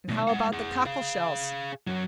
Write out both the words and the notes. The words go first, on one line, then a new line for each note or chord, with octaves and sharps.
"And how about the cockle-shells?"
B2 A3
G#3 F#5
G#4 F#5
G#4 F5
F#2 F#3